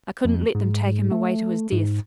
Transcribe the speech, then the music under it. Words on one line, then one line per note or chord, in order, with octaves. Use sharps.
I couldn't let them take him away to his death.
F2
G#2
A3
G#2